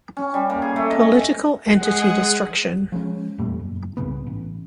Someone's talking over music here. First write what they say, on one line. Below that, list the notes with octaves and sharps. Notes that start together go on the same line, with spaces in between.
Political entity destruction.
C#4
G3
A#3
G#4
A3
D#5
G#3 G#4 F#5
F3 G#3 C#4
E2 A#2 G3 A3
F#1
C2 G#2 C#3 B3
A1